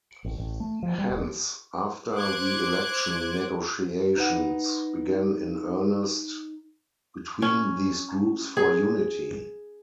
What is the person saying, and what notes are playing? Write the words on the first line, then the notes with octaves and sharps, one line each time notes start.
Hence after the election negotiations began in earnest between these groups for unity.
A1
A1
A3
F3
G3
D#1
C5 D6 F#6 G#6
D#4 B4 F#5
C#4
G#4